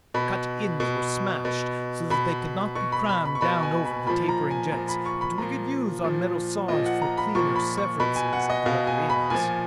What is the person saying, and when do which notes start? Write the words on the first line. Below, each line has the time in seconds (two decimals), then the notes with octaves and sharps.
The cut ends were smashed so that they could not be crammed down over the tapering jets; but we could use our metal-saws for cleaner severances at the other ends.
0.14 B2 B5
0.80 B2
1.45 B2
2.10 B2 B5
2.75 B2 C#6
2.92 B5
3.09 B5
3.25 B5
3.35 C#6
3.41 B2 B5
3.63 G#5
3.86 B5
4.07 A#2 F3 B5
4.28 A#5
4.51 G#5
4.72 A#2 A#5
4.77 F3
4.89 B5
5.06 C#6
5.21 B5
5.38 A#2 F3 A#5
6.04 A#2 F3
6.68 A#2 F3 D#5
6.86 F#5
7.02 A#5
7.17 B5
7.35 A#2 F3 C#6
7.56 B5
7.77 C#6
8.00 B2 B5
8.16 G#5
8.33 F#5
8.50 D#5
8.66 B2 F5
8.87 G#5
9.10 B5
9.30 A#2 F3 G#5